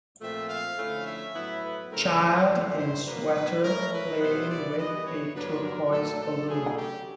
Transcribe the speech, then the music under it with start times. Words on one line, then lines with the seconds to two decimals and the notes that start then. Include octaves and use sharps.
Child in sweater playing with a turquoise balloon.
0.21 A#2 F3 A3 C4 F4 E5
0.50 F5
0.77 D3 F3 A3 C#4 E4
1.06 E5
1.34 A2 F#3 B3 E4
1.63 B4
1.91 C#3 F3 A3 C4 E4 A#4
2.21 C5
2.49 F#2 D3 G3 C4 E4 C5
2.77 C5
3.06 B2 F#3 A#3 B4
3.35 B4
3.63 F3 A3 C#4 E4 A#4
3.92 B4
4.19 B2 G3 B3 E4 C5
4.48 D5
4.77 E3 G3 B3 E4 D#5
5.05 C#5
5.34 G2 D3 F#3 A#3 D4 B4
5.62 A#4
5.91 A#2 F#3 A3 A4
6.20 A4
6.48 C#3 F#3 A3 G#4
6.77 G4